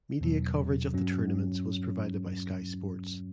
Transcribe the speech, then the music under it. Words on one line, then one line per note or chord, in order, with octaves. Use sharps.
Media coverage of the tournaments was provided by Sky Sports.
E2 B2 F#3
G2 F#3 C#4